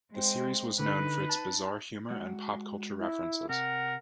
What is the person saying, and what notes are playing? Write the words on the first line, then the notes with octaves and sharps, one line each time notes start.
The series was known for its bizarre humor and pop-culture references.
G#3 C4
D3 D#4 B4
A5
G#3 F#4 F#5
E4
C3 A#4 F#5